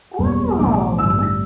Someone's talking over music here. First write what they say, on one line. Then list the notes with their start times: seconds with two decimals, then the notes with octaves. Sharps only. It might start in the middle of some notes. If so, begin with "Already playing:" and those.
Oh, nice.
0.19 F#1 E2 B2 G3
0.59 B1 A2 E3 G3 D6
0.98 A1 G2 D3 G3 E6
1.19 E6